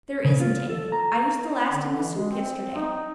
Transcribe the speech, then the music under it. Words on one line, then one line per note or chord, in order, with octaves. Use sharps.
"There isn't any; I used the last in the soup yesterday."
C#3
F4
A4
A#5
D3
E3
G#3
C4
D#4